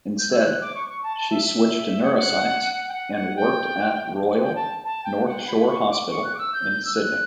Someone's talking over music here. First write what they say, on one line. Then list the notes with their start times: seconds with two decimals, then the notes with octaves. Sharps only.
Instead, she switched to neuroscience and worked at Royal North Shore Hospital in Sydney.
0.19 G6
0.32 E6
0.39 F#6
0.61 D6
0.75 C#6
0.89 C#6
1.03 A5
1.17 A5
1.31 E5
1.45 E5
1.87 E5
2.02 F#5
2.16 F#5
2.73 F#5
2.89 G5
2.93 F#5
3.14 F#5
3.36 G5
4.41 G5
4.55 A5
4.84 A5
5.04 G5
5.26 F#5
5.48 B5
5.69 C#6
5.90 D6
6.11 C#6
6.24 F#6
6.35 D6
6.39 E6
6.53 G6
6.85 E6
6.96 F#6